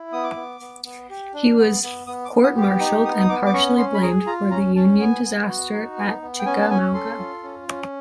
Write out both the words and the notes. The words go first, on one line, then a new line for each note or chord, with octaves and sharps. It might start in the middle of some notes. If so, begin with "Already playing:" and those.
He was courtmartialed and partially blamed for the Union disaster at Chickamauga.
Already playing: E4
B3 D#6
D6
B3
B3
B3
G4
D4
B3
B3
B3 D#6
D6
B3
D#6
G4
D6
D#4 D#6
B3 D#6
D#6
B3 D6
D6
C#4 C#6
C#4 C6
B5
G#4 A#5
F4 A#5
C#4 A#5
C#4 A5
B3 G#5
B3
F#4
D#4
B3
B3
G5
C#4 G#5
A5
C#4 G#5
A4 C6
F4
C#4
C#4